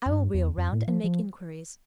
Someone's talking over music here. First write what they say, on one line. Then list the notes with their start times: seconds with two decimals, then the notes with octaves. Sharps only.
I will reel round and make inquiries.'
0.06 F2
0.12 G2
0.34 E2
0.58 F2
0.72 A2
0.88 F3
1.04 F3